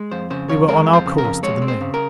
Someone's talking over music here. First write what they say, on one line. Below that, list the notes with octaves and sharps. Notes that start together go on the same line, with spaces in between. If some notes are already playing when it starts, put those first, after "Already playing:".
We were on our course to the Moon.
Already playing: G#3
F2 C5
C#3 C5
F2 C#5
G#3 A#4
F2
C5
C#3
A#4
F2
G#3 C#5
C4
C5
C#3
A#4